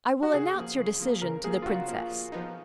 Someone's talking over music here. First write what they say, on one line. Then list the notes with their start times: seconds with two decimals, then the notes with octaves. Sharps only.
I will announce your decision to the Princess.
0.23 F#4
0.34 C#3 G#4
0.55 F3 A#3
0.78 C#3
0.99 F3 A#3
1.22 C#3 A#4
1.44 F3 A#3 G#4
1.62 F4
1.66 C#3 F#4
1.88 F3 A#3
2.10 A#2
2.32 F3 B3 D#4